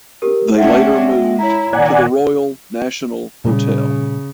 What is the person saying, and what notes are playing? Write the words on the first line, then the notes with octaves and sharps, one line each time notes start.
They later moved to the Royal National Hotel.
G4 A#4
A3 C#4 D4 E5 F#5 G5
G#3
E4 C#5 A#5
A#2 D#3 D5 F#5 G#5
A#2 C#3 G3